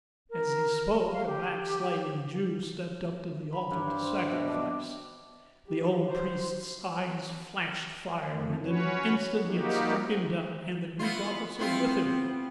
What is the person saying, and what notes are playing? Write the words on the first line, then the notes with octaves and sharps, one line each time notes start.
As he spoke a backsliding Jew stepped up to the altar to sacrifice. The old priest's eyes flashed fire, and in an instant he had struck him down, and the Greek officer with him.
A#4
F5
G4
B5
G2
C5
E5
B2
D4
G4
F#4 C5
F2 A3
C#4 F#4 B4 C#5
F3 G3 A#3 D#4 F#4 G4
B3 E4 F4
B3 C4 E4 F4